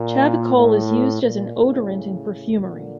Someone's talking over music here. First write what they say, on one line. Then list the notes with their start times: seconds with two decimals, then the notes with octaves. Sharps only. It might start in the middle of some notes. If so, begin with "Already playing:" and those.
Chavicol is used as an odorant in perfumery.
Already playing: A#2
0.55 A2
1.22 A#2
1.55 A2 C#3
2.54 A#2 D3